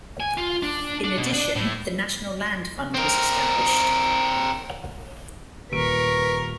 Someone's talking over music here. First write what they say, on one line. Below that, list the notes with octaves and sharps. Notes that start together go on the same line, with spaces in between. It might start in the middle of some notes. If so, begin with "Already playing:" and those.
In addition, the National Land Fund was established.
G#5
F4
D4
D4
B2
D4
A2
C4 A#4
D#1 A#4 B4 C#6 B6 D7